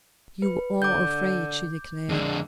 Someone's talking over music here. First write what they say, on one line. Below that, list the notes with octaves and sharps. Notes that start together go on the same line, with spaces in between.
"You are afraid," she declared.
B4
D3 D6 G6
F2 D3 G#3